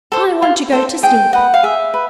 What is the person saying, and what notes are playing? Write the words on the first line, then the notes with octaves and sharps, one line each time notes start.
I want to go to sleep.
A4 C5
F4
A4 C5
G#4 G5
B4 D#5 F#5
F5
G#4 E5
B4